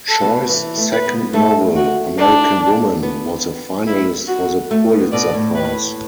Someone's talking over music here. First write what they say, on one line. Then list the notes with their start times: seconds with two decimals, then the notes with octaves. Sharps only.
Choi's second novel, "American Woman", was a finalist for the Pulitzer Prize.
0.08 A4
0.21 B2
0.49 E3
0.77 A3
0.92 B4
1.06 B3
1.33 A3 A4
1.76 F#4
2.18 D4
3.03 B3
3.87 E4
4.28 F#4
4.71 A3
4.91 B2
5.12 B2 D5
5.34 A2
5.55 B4